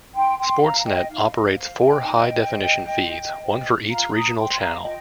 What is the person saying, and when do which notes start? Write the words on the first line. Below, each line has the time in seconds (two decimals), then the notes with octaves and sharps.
Sportsnet operates four high-definition feeds, one for each regional channel.
0.15 D#4 G5 C6
0.39 G5 C6
0.61 C5 F5 A#5
0.80 A#5
0.84 D#5 G5
1.08 D#4 F5
1.32 D#5
1.55 C5 F5
1.78 D#5 G5
2.02 D#4
2.49 C5
2.96 F4
3.43 C5
3.89 F4 F5 A#5
4.12 A#5 D#6
4.36 C5 G5 C6
4.60 F5 A#5
4.83 F4 D#5 G5